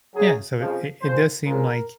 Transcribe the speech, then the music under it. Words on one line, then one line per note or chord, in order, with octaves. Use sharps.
Yeah, so it it does seem like,
F#2 C#3 F#3 G#4
F2 C#3 F3
A#2 F3 G#3 C5
C#2 C#3 F3 G#3 A#4